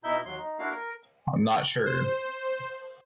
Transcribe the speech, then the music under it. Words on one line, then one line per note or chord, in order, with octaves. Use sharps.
I'm not sure.
B2 D#4 E4 E5 G6
D#2 F#3 C6
D#4
A#3 D4 E4 F#4 F5
A#4
C5